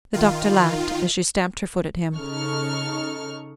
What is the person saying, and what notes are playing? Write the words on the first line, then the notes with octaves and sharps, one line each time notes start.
The Doctor laughed, as she stamped her foot at him.
D#3 F4
C#3 D#4 A4 C#6 F6